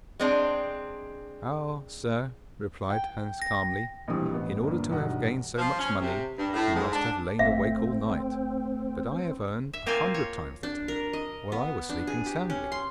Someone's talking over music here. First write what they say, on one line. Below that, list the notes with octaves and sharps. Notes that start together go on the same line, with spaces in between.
'Ah, sir,' replied Hans calmly, 'in order to have gained so much money you must have lain awake all night, but I have earned a hundred times that amount while I was sleeping soundly.'
G#3 C4 D4
G5
A#6
A#1 B2 E3 G3 C4 D#6
A1 B3
G1 A#2
E1 B1 G2 D#4 F#5
F3
C#4
C3
G2
A2
G#2
D4
G1 A3 C4 E5 F5
E5
A#3 C4 F4 C5 F5 G#5
C#5
D4
A#4
D#5
B3
D4
G#4
G4
C#4
C6